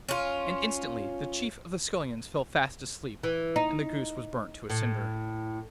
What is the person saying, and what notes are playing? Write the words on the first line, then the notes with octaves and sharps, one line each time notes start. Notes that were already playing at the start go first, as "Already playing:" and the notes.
And instantly the chief of the scullions fell fast asleep, and the goose was burnt to a cinder.
C#4 F4
E3
D#4
A2